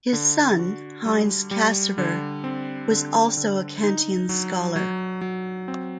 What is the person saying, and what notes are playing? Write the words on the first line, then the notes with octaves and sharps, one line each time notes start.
His son, Heinz Cassirer, was also a Kantian scholar.
D3
F#4
G3
G3
D3
C4
D3
D3
D#4
F#3
F#3
F#3
C4